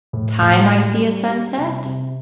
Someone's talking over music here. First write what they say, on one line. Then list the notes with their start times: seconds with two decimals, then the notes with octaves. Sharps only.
time I see a sunset.
0.13 A2
0.41 A2
0.71 G3
1.00 G3
1.28 G3
1.57 C3
1.85 C3